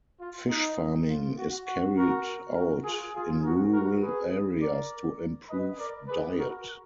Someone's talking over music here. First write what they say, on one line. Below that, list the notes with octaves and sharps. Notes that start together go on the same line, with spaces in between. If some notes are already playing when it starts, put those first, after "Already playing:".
Fish farming is carried out in rural areas to improve diet.
F4
D#4
F4
F#4
F#4
F#4 A#4
F#4 A#4
F4 G#4
F4 G#4
F#4 A#4
F#4 A#4
G#4 B4
A#4 D5
B4 D#5
A#4 D5
G#4 B4
F#4 A#4